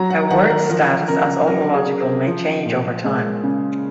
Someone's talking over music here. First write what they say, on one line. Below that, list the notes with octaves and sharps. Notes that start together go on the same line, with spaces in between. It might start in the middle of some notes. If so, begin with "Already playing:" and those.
A word's status as autological may change over time.
Already playing: F#3 A#5
F#5
D#3 F#5
A#4
F3 A#4
C#3 A#4
F#3 A#4
G#4
C#3
C5
F3
A#2
G#3
C#3